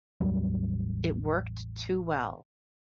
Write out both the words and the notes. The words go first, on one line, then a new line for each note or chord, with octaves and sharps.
It worked too well.
A1 E2 F#3 G3